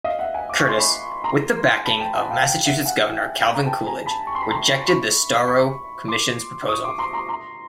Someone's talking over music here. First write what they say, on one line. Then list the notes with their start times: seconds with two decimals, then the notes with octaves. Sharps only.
Curtis, with the backing of Massachusetts Governor Calvin Coolidge, rejected the Storrow Commission's proposal.
0.04 D#5 F5
0.19 E5 F#5
0.34 F#5 G#5
0.49 D6
0.59 C#6
0.69 C6
0.78 B5 C#6
1.24 A#5 C6
1.85 A5 B5
2.00 G5 A5
2.15 F#5 G#5
2.30 F5 G5
2.46 F5 G5
2.66 E5 F#5
2.85 F#5 G#5
3.42 B5
3.54 A#5
3.66 G5 A5
3.87 G#5 A#5
4.06 A5 B5
4.27 C#6
4.35 C6
4.42 B5
4.50 A#5 C6
4.87 B5 C#6
5.47 B5 C#6
6.08 C6 D6
6.68 C#6 D#6
6.84 C6 D6
6.98 A#5 C6
7.13 A#5 C6
7.28 A#5 C6